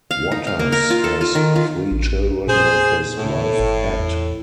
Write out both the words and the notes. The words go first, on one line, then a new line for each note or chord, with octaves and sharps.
Watters has three children with his wife Pat.
F5
D#4
F5
A#3
A#4
F4
A4
F4
D#3
F4
A1
A#2 G#4 C5
A2
G1
E2